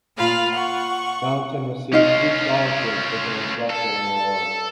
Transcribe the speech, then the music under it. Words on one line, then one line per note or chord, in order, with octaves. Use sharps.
Fountain received two scholarships which are reflected in her work.
A#2 F4 F5 B5
F#5 C#6
C#4 D#4 F4 D#5 F5
A4